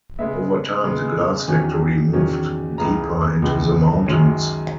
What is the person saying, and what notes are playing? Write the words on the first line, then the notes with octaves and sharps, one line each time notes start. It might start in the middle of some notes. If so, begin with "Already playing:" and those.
Over time the glass factory moved deeper into the mountains.
C#3 G#3 B3 E5
C#3 G#3 B3
E2 D#3 F#3 C#4 G#5
E2 D#3 F#3 C#4
C#2 C#3 E3 A#5
C#2 C#3 E3
F#2 D#3 G#3 C#4